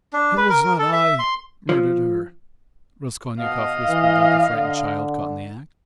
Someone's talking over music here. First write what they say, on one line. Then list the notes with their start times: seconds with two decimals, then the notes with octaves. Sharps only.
"It was not I murdered her," Raskolnikov whispered like a frightened child caught in the act.
0.13 D4
0.37 B4
0.49 A#4
0.63 A#4
0.79 A4
0.93 E5
1.19 C6
1.69 F3
3.39 B2 D#5 F5
3.89 E3
4.50 D3